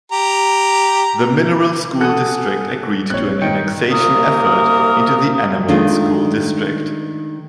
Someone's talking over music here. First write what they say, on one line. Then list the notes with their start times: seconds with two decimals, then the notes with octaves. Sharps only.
The Mineral School District agreed to an annexation effort into the Annawan School District.
0.12 G4 A#5
2.01 A4 F#5 G#5 D#6 F#6
3.10 A#1 A#2 C4 C#5 F#6
3.42 D#3 G5 C#7
3.90 C2 A#3 A#4 D#6
5.68 D#3 G#3 A3 D4 F4